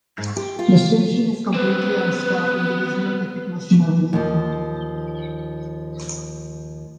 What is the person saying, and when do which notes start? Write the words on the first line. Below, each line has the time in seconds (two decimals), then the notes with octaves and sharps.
The station is completely unstaffed and there is no ticket machine available.
0.18 G#2
0.36 G4
0.59 F4
1.54 B3 C4 B4
4.13 D#2 F3